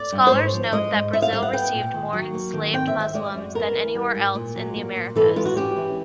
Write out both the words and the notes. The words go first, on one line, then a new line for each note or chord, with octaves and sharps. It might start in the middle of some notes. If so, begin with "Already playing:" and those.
Scholars note that Brazil received more enslaved Muslims than anywhere else in the Americas.
Already playing: D5
G2
C5
G#2 C#5
F3
G#3 D#5
G#2
E4 E5
F5
G3 F5
F#5
B3 G5
A#2
D#3
F#3
A#3
D#3
C4 G5
E5
D#3
E5
G#3 D5
F#2
B3 A#4
E3
G3
G#2
A#2
F#3
A#3
A#2
E3 A4
G#3 F4
F#4
C#4 G4
E3